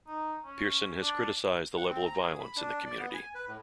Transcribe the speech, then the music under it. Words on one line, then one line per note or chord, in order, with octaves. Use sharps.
Pearson has criticised the level of violence in the community.
D#4
C#4
D4
F#5
C4
A#5
G#4
B5
D4
D5
B3
G#5
B4
A2